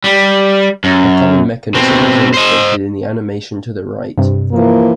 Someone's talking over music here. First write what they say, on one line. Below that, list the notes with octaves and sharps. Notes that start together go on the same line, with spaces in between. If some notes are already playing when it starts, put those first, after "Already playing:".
A common mechanism is illustrated in the animation to the right.
G3
F#2
B2 C4
C5 D#5
G2 C3
E3 F3 A#3